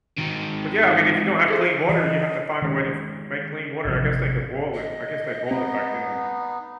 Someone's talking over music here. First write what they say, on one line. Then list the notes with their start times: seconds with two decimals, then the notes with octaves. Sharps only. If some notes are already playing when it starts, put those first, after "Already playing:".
But, yeah, I mean, if you don't have clean water, you have to find a way to f make clean water. I guess they could boil it. I guess they boiled it back then.
0.18 G#2 D#3
1.48 G#4 A4 C5
1.89 E3 D#5
2.62 D#3 G#3 C#4
3.85 G#1 C3 F3
4.75 D#5
5.51 B3 C4 D#4